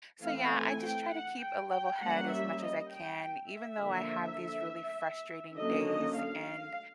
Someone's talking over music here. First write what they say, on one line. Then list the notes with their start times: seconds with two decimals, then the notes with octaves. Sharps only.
So, yeah, I just try to keep a level head as much as I can, even though I have these really frustrating days and
0.23 E3 A3 C4 F5
0.53 G#5
0.82 G5
1.12 F#5
1.41 G5
1.71 G5
2.00 G3 A#3 C#4 F#5
2.30 E5
2.60 D#5
2.90 G5
3.49 E5
3.78 D3 F3 A#3
5.57 D3 F#3 A#3 C#4 D#5
5.86 D#5
6.16 F5
6.46 F5